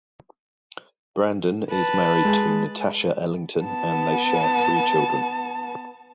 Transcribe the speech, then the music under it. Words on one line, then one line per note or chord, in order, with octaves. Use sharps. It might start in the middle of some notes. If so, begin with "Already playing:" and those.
Brandon is married to Natasha Ellington and they share three children.
B4 A5
G#3 G#4
B3 A5